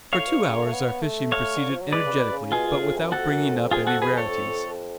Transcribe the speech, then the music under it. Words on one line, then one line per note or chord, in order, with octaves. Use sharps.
For two hours our fishing proceeded energetically but without bringing up any rarities.
A2 C#5 F5
B2
C#3
D3
A3
B3
A3
C#5 F5
D3
F3
F#3
G#3 B4 D5
C#3
B2
C#3
B2 F4 G#4
B2
A2
F2
F#2
F2 F#4 A4
F#2
F2
F2 F4 G#4
F#4 A4
G#4 B4
A4 C#5